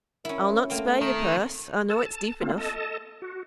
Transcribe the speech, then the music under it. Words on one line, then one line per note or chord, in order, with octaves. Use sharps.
I'll not spare your purse,--I know it's deep enough.
C#4 E4 A#4
A3 A#3 C4
D#3
A4 A5
A5
A3 A#3 C4 F4
A4 D#5 A5
F#4